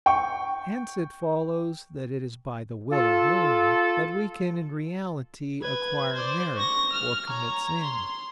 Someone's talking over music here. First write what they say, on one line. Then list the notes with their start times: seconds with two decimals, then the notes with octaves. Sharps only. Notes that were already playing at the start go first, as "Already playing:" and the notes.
Hence it follows that it is by the will alone that we can in reality acquire merit or commit sin.
0.06 G5 C#6
2.91 F4 A4
5.61 B4 G#6
6.15 C5 D5
6.56 C#6 A#6
6.92 F6
7.29 C#5 A#5
7.83 C6